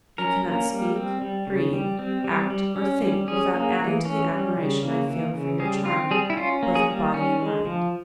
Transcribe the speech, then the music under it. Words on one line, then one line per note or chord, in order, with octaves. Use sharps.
You cannot speak, breathe, act, or think, without adding to the admiration I feel for your charm both of body and mind.
C#4 A#4
A#3
G3
C4
G3
C#3
G3
C4
G3
G3
C#4
G3
C#4 G#4
A#3
E3
C#4
G3
C#3
A#3
E3
C#3
G3 G#4
C4 F4
G3 G#4
E4
C#4 F4
A#3
G#4
G3
C#4
G#3
F3